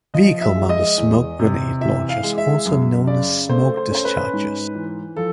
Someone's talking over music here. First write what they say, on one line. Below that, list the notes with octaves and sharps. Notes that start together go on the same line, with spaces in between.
Vehicle-mounted smoke grenade launchers are also known as "smoke dischargers".
F3 D#5
E5
G#3
D#5
E2
C3
E3 E5
F5
G#3
E5
F#2
C#3 D5
A3 C5
C5
C#4 C5
B4
G#2
E3
F3 A4